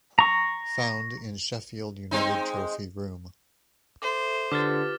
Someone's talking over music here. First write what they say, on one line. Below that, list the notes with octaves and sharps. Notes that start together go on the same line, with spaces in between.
Found in Sheffield United Trophy Room.
A#5 C#6
G#3 C4 D#4
A4 C5 E5 D6
D3 F4 G4 B4 D6 F6 A6